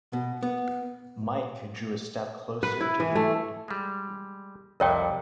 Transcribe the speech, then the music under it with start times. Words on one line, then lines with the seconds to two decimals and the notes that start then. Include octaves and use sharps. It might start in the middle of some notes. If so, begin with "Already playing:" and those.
Mike drew a step closer to Hayward.
0.13 B2
0.43 B3
2.63 B4
2.80 E4
3.00 E3
3.15 A3
3.68 G3 G#3
4.80 C2 F2 C3 A#4 C#5 G5